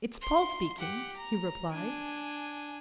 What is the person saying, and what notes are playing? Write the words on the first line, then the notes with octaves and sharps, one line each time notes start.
"It's Paul speaking," he replied.
C6
G4 F#5
A#5
D4 G#5